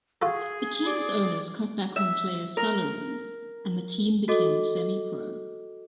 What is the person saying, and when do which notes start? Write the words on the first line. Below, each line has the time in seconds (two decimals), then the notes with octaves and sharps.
The team's owners cut back on players' salaries, and the team became semi-pro.
0.22 F4 F#4 G#4 A4
0.86 D5
1.96 E5
2.57 A#4
4.28 F#4 A4 D#5 D6